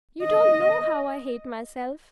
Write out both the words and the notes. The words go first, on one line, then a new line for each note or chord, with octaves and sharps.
'You don't know how I hate myself.
D#5